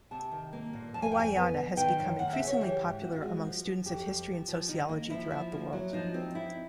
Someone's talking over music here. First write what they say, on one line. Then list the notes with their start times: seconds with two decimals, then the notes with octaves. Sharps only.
Hawaiiana has become increasingly popular among students of history and sociology throughout the world.
0.11 C3 A5
0.32 D#3
0.53 A#3
0.73 A#2
0.94 F2 A5
1.02 G#5
1.12 G5
1.15 F2 G#5
1.36 B3
1.57 B2
1.77 D#3 G5
1.98 F#2
2.19 D#2 F#5
2.33 E5
2.39 C#3
2.47 C#5
2.61 E3 G4
2.81 G#2
3.02 C4 F#4
3.12 F4
3.22 G#3 F#4
3.44 F3
3.65 F3
3.85 F2 G4
4.06 F2
4.28 F3
4.48 F3
4.68 D#3 D#4
4.89 A#3
5.10 F3 E4
5.31 F3
5.52 A#3
5.73 F#3
5.93 F3 D#4
6.14 C4 D#4
6.34 D#4 E4